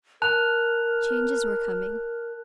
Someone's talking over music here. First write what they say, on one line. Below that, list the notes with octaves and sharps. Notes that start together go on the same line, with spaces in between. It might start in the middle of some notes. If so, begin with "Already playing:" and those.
Changes were coming.
A#4 A5 F#6 F7